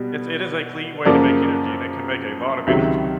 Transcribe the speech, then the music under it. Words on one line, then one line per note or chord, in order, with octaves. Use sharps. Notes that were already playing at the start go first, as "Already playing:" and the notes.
It's it is a clean way to make energy, and it can make a lot of energy.
Already playing: B2 G3 B3
F#2 C#3 F3 A#3 D5
C#2 C3 D#3 F#3 E5